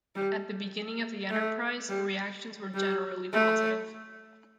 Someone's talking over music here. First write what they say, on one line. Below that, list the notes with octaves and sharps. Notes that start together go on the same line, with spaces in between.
At the beginning of the enterprise, reactions were generally positive.
G3
A3
G3
G3
A3